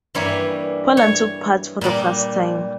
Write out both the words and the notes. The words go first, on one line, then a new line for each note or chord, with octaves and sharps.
Poland took part for the first time.
G2 E3 G3 A#3 C#5
C#5
A#2 G3 A#3